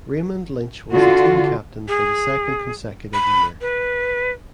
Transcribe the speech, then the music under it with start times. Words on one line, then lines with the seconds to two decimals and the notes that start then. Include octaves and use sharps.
Raymond Lynch was the team captain for the second consecutive year.
0.92 D3 F4 F#4
1.88 G#4
3.14 B5
3.61 B4